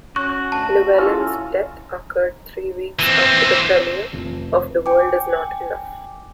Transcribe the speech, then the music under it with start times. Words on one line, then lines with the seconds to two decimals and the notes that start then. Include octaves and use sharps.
Llewelyn's death occurred three weeks after the premiere of "The World Is Not Enough".
0.16 C#4 F#4 C#6 F#6
0.52 D2 A5
0.97 C#4 E4 F4 A4
2.99 E3 C4
4.13 F1
4.86 G5 G#5 D6